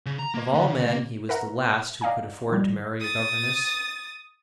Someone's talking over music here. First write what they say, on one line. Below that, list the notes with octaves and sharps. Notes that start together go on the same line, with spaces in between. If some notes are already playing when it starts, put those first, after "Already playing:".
Of all men he was the last who could afford to marry a governess.
C#3
A#5
A#3
D3
C#3
A#3
A#4 B4 E5 F#5 A#5
D5 D#5 F5 F#5 G#5 A#5
D#3 F3 G3
D#6 A6